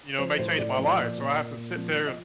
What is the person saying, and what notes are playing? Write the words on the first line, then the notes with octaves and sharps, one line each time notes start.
you know, may change my life, so I have to sit there and
F3 C5
A2 C5
A2 D5
C5
F3
D5
A#2 D5
A#2
A#2
A#2
F3
F3
D#5